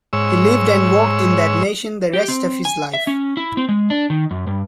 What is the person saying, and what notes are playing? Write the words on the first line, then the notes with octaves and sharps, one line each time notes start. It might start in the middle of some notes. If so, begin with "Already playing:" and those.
He lived and worked in that nation the rest of his life.
G#2 C#5 E6
G4
C4
G#5
E5
C#4
E4
C4
G#3
D4
D#3
F#2
G2